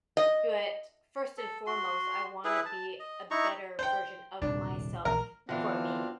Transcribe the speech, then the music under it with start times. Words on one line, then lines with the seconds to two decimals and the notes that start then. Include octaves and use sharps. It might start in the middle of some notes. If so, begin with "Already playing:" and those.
But first and foremost, I wanna be a better version of myself, for me,
0.17 D#5
1.37 A4
1.66 F#4 C6
2.44 E4 G#4 B4
2.66 A5
3.00 D#5
3.31 D#4 E4 A#5 C#6
3.79 C5 G5
4.42 D#1 C2 D#3 D4
5.05 A#1 E3 A3 A#4
5.49 D3 E3 B3 C4 D4 F4 F#4 F5